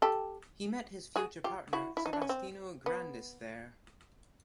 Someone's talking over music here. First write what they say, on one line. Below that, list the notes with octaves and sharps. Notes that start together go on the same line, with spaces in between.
He met his future partner Sebastiano Grandis there.
G4 A4
F#4 G#4
F4 G4
E4 F#4
E4
D#4
D4
C#4
C4
B3